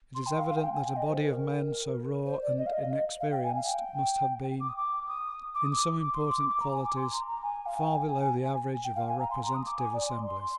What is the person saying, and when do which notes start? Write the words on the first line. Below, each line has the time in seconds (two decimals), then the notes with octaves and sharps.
It is evident that a body of men so raw and inexperienced must have been, in some important qualities, far below the average of our representative assemblies.
0.15 C6
0.26 G5
0.38 F5
0.50 F5
0.57 G#5
0.61 G5
0.73 G#5
0.85 G5
0.96 D#5
1.08 C5
1.21 A#4
2.26 C5
2.42 D5
2.57 D#5
2.66 F5
2.73 D#5
3.20 F5
3.32 G5
3.44 G#5
3.56 F5
3.67 G5
4.60 D6
4.69 D#6
4.77 D6
5.08 D#6
5.55 D6
5.64 D#6
5.72 D6
6.01 D6
6.13 C6
6.26 D6
6.37 D6
6.49 D6
6.60 A#5
6.72 G#5
6.84 D6
6.96 C6
7.12 A#5
7.27 A#5
7.43 G#5
7.66 F5
7.78 G5
7.90 G#5
8.84 G5
8.96 F5
9.08 G#5
9.19 A#5
9.31 C6
9.43 A#5
9.54 D#6
9.66 D6
9.78 G#5
9.94 D5
10.09 C6
10.25 C6